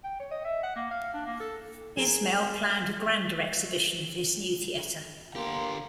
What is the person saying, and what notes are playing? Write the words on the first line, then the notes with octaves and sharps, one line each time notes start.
Ismail planned a grander exhibition for his new theatre.
G5
C#5
D#5
E5
F#5
A#3
F5
D4
A#3
A4
G#4 A#4
D3 A#3 G4 C6